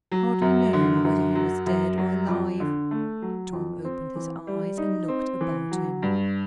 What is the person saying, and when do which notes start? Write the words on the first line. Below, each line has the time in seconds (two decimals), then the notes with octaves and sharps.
Hardly knowing whether he was dead or alive, Tom opened his eyes and looked about him.
0.12 F#3
0.42 F#2
0.73 D3
1.05 F#2
1.35 F#3
1.66 F#2
1.98 F#3
2.28 F2
2.60 D3
2.91 A3
3.22 F#3
3.53 F2
3.85 C4
4.16 E3
4.47 G3
4.78 D#4
5.08 C4
5.41 E3
5.71 F#3
6.03 G2